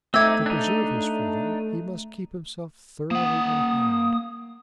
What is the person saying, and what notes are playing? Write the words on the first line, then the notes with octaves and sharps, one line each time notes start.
To preserve his freedom, he must keep himself thoroughly in hand.
A3 C4 D#4 E5 D6 E6 G#6
D4 D#4
A#3 F#5 D#6